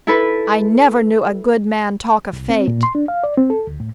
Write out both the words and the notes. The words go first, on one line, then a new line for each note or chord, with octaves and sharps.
I never knew a good man talk of fate.
E4 A4 B4
C2
C4
A#2
C6
D4
F5
D5
C4
A4
D2
A2